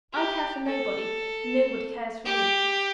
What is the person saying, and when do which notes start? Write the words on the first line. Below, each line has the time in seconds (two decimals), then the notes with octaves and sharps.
'I care for nobody-- Nobody cares for me.'
0.13 G4
0.66 A4
2.25 G4